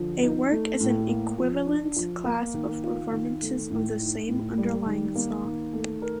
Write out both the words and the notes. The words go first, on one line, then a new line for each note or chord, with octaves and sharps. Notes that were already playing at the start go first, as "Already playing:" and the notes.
A work is an equivalence class of performances of the same underlying song.
Already playing: D3 F3
D#4
A3
A2
A#3
F3
D4
F3
A#3
D#3
F4
D#3
A3
A2
D#4
A2
G3
D#3
A#3
D#3
A3
A#4